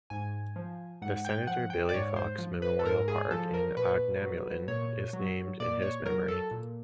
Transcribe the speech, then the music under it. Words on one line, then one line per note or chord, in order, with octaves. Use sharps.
The Senator Billy Fox Memorial Park in Aughnamullen is named in his memory.
G#2 G#5
F3
G#2 F#5
G5
F3 F#5
G5
D5
G#2 C#5
C5
F3
B4
A4
G#2 A#4
G#4
F3 A4
A#4
A#2 B4
F#3
A#2 C#5
F#3
A#2 D5
C#5
F#3 A#4
A4
A#2